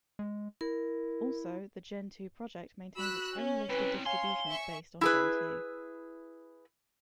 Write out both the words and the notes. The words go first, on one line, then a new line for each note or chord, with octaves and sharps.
Also, the Gentoo project maintains its own list of distributions based on Gentoo.
G#3
E4 A#4
F#4 B5 E6 F#6
C#4
C4 E4 B4
C#5 F5 G#5 C6
E5 C#6
E4 G#4 B4